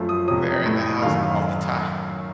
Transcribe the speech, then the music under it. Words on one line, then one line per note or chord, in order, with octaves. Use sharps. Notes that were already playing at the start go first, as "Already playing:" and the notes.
there at the house all the time.
Already playing: F#2 F3 A3
D#6
F2 C3 F#3 D#6
A2 A3
F#2 D#3 A3 F5